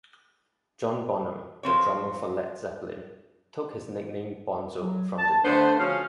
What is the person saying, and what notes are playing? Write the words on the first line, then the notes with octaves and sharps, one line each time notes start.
John Bonham, the drummer for Led Zeppelin, took his nickname "Bonzo" from the dog.
F3 C4 C#5
F#3
A5
D3 A3 B3 D4 C5
F3 C#4 F#4 G#4 F5